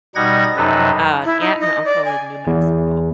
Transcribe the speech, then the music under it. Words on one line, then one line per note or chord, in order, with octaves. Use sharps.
mm an aunt and uncle in New Mexico.
B2 G3 D#4 F#5 G#6 A#6
F#2 C3 F#3 D#4 A4 B4
E4
D#4
D#5
D5
G#5
E2